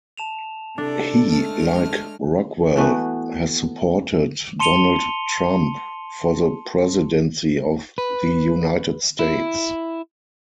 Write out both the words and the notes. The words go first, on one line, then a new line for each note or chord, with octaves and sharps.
He, like Rockwell, has supported Donald Trump for the presidency of the United States.
A5 E7 F7
C3 D4 A4 D5
G#3 A3 F6
E3 A3 B3 F#4
A5 C6 C#7 D#7 F7 G7
B4
E4